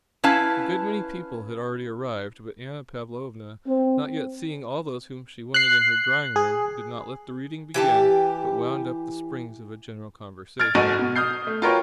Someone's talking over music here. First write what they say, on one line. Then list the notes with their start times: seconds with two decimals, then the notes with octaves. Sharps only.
A good many people had already arrived, but Anna Pavlovna, not yet seeing all those whom she wanted in her drawing room, did not let the reading begin but wound up the springs of a general conversation.
0.24 C#4 E4 B4 F5 A5
3.67 C4
5.54 F#6 C7
6.36 G#4
7.74 E3 G4 A5
10.60 F6 G#6 A6 D7
10.75 F#1 G#2 F#4 A4 C#6 D#7
10.99 B2
11.16 D#6 F6 G6 C7
11.47 A3
11.62 F4 F#4 A#4 B4 C#5 G5